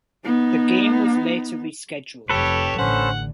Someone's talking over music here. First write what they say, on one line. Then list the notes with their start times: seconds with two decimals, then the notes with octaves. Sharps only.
The game was later rescheduled.
0.25 B3 D#4
2.29 F1 F2 G4 A4 B4 C#5
2.78 A1 D3 C#4 C5 F#5